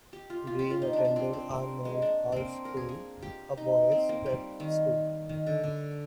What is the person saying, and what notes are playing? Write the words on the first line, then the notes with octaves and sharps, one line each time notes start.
Green attended Arnold House School, a boys' prep school.
G4
F4
F4
G4
F4
D#4
D4
D4
C4
C4
A#3
G#3
D4
A#3 C4
A#4
G#4
G#4
G4
D#4
C4
A#3
G3
D#3
D#3
D3
D3